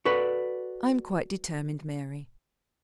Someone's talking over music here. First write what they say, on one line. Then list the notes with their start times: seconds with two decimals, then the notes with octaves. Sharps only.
I am quite determined, Mary.
0.05 F#4 A4 B4 D5